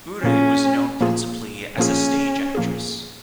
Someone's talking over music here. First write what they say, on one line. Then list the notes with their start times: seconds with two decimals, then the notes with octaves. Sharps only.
Ure was known principally as a stage actress.
0.23 A#2 F3 A#3 C#4 F4 G#4
1.01 A#2 F3 A#3 F4 G#4
1.78 A#2 F3 A#3 C#4 F4 G#4
2.55 A#2 F3 A#3 F4 G#4